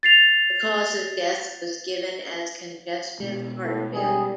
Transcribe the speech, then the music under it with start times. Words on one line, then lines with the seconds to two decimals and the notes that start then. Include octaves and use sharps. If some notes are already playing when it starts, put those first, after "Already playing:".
The cause of death was given as congestive heart failure.
0.03 A6 C7 F7
3.20 B2 G#3
3.64 A2
3.94 G3 G#4